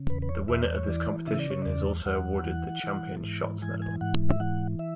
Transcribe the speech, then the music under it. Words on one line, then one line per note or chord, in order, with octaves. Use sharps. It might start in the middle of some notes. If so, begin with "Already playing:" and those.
The winner of this competition is also awarded the Champion Shots Medal.
Already playing: C#3
E2 B4
B4
C#5
E2 E5
D5
C#5
E3 D5
C#3 E5
D5
C#5
E2 D5
E2 F#5
E3
E3
G#2
E3 G#5
G#5
G#2 F#5
E5
E3 F#5
E5